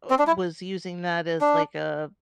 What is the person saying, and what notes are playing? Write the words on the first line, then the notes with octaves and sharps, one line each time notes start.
uh was using that as, like, a
C4
D4
E4
D4